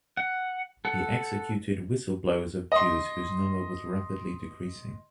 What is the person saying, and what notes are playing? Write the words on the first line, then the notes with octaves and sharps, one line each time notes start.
He executed whistleblowers of Jews whose number was rapidly decreasing.
F#5
A4 F#5
D#5 C6